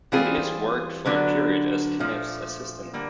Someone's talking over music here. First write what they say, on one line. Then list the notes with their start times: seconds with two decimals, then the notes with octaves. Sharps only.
Elias worked for a period as Caniff's assistant.
0.12 E3 G3 C4 F4 G#4
1.05 D3 F#3 B3 D4
1.99 A#2 F3 A3
2.93 D3 G3 A#3